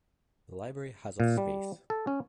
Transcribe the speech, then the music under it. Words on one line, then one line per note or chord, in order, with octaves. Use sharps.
The library has of space.
A#2
G3
A4
C#4